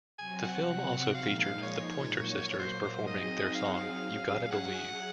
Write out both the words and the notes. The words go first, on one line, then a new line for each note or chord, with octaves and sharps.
The film also featured The Pointer Sisters performing their song "You Gotta Believe".
C3 F#3 C4 F#4 G#5
F#5
A#2 F3 G#3 D#4 F5
F5
C#5
A#2 F#3 A#3
C5
C5
F#3 C4 D#4 G#4 D#5
F5
F#5
F5
F#3 C#4 G#4
F#5